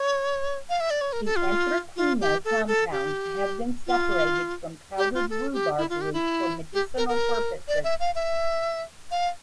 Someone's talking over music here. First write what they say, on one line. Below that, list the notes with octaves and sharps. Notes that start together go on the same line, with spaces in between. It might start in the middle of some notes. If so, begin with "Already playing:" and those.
The anthraquinone compounds have been separated from powdered rhubarb root for medicinal purposes.
Already playing: C#5
F5
E5
D5
C#5
A#4
A4
F4
F4
G4
A4
A4
G4
F4
G4
F4
A4
G4
E4
F4
G4
E4
G4
A#4
A#4
D5
E5
F5
E5
F5